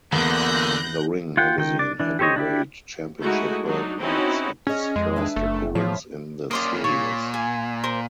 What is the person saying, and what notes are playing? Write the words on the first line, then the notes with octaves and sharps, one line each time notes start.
The "Ring" magazine heavyweight championship belt makes its first appearance in the series.
E2 B2 D3 A#3 F#6 G6 A#6
F4 F#5 G5
D#3 G5
D4 D5
E3 D4
G4 A4 C5 C#5 D#5
D4 E4 G4
G#3 A3 D#4 E4 F#4
F#3 D4 D#4
C4 C#4 D#4 E4 F#4
C#4 G#4 D#5
F2 G#3
D4 B4 E5
F#1 A3
A2 F3 C#5 E5
A#3 C#4 D5 C6 D#6
A#2 C#5
G#5
A#4 C5